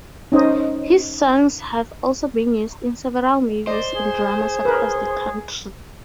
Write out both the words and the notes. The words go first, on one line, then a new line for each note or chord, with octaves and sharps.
His songs have also been used in several movies and dramas across the country.
C#4 D#4 C5 D#5
C5 D5 D#5
G#4
A#4 B4